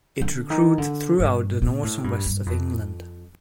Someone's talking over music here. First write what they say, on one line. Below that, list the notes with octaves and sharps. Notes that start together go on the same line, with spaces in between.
It recruits throughout the North West of England.
D3
D#3
D3
G2
A#2
A2
G2
G2
F2